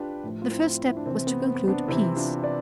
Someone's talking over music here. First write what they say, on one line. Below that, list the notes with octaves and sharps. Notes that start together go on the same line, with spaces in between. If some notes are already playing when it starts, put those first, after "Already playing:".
The first step was to conclude peace.
Already playing: D4 F4 G4 B4
A2 F3
F4
C4 E4
E4
D4
C3 E3 C4
B3
C4
B3 D4
C3 E3 C4 E4
D4 F4
B4 D5